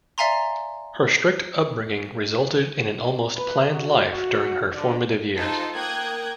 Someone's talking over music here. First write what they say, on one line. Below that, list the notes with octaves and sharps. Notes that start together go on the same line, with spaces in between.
Her strict upbringing resulted in an almost planned life during her formative years.
D5 E5 F5 G#5 A#5 C6
B4
F#4
F#4
D3
D#4 F4 A4 C5 A5
A#3 G5 D#6 F#6 G#6